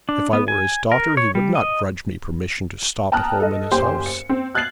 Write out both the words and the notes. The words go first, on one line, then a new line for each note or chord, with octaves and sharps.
If I were his daughter he would not grudge me permission to stop at home in his house.
D4
B3
G#5
A#4
C#5
G3
D#5
G5 A5 A#5 D#6 F6 F#6
A4 D#5
F#1 G4 C5 G#5 C6
C#7
C4
F6 F#6 G#6 A6 C7 F#7